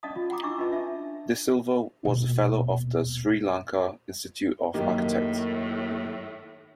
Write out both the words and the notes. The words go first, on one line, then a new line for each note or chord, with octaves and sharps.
De Silva was a fellow of the Sri Lanka Institute of Architects.
C#4 D5 D#5 F5 A5 D#6
F4
F#5 G5 A#5 D6 D#6
D4 E4 D#5 C#6 D6 E6
C#4 F4 B4 D#5 A5
D4 E5 A5
D#1 B2
F#2 A2 D#3 A#3 G4